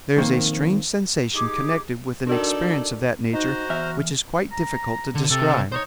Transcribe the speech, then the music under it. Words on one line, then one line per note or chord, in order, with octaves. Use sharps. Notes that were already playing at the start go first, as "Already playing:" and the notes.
There is a strange sensation connected with an experience of that nature which is quite difficult to describe.
B1 F2 D#3 A#3 C4
D#4 G4 G#4 D6
D4 D#4 F#4 A4 A#4 D5
D#4 F#4 C5 A#5
E2 E5 F6
A#5
D3
C3 A4
D#4 C5 C#5